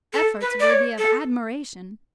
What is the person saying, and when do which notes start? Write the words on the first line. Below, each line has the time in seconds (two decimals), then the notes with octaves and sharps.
Efforts worthy of admiration!
0.13 A4
0.41 B4
0.60 D5
0.70 C#5
0.98 A4